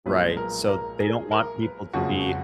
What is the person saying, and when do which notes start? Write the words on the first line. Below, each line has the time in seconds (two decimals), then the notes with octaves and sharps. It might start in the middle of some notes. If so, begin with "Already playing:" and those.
Right. So, they don't want people to be
0.06 B1 A#2 F3 G#3 B4
0.37 A#4
0.68 A#4
1.00 G#4
1.31 A#4
1.63 B4
1.93 F#1 F2 C#3 F3 G#3 F#4